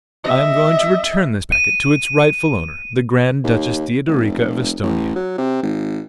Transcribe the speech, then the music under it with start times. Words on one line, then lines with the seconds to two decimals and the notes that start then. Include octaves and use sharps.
I am going to return this packet to its rightful owner, the Grand Duchess Theodorica of Esthonia.
0.24 D#5 E5
1.52 D#7
3.44 D#2
4.07 F1
4.83 A1
5.15 F#3
5.38 C3
5.63 G#1